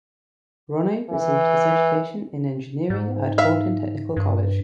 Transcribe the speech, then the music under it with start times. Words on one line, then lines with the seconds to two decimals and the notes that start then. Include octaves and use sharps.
Ronne received his education in engineering at Horten Technical College.
1.10 E3
2.90 G#2
3.38 E5 F5
4.17 G2